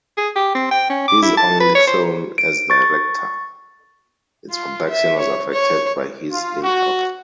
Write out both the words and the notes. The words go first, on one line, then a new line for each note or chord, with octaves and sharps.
His only film as director, its production was affected by his ill health.
G#4
G4
C4
G5
C#4
D6
E4
A5
B4
C#5
C5
D7
C#6 A6
F4
E5
C#5
C#5
F4
F#4